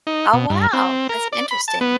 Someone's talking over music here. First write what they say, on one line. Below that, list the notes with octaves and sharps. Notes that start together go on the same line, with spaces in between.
Oh, wow! That's interesting.
D#4
B2
G2
C4
A#4
D5
B5
A5
B3